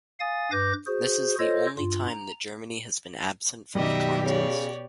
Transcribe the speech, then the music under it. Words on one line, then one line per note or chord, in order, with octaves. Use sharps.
This is the only time that Germany has been absent from the contest.
F5 G#5 D#6 A6
G2 B4 D6 G6 A#6
F#4 G#4 C5
F4 A4 C5 C#5 D#5
G2 F4
A#5
F#2 B2 D#3 G3 G4 D#5 E5
C#3 C#5 D5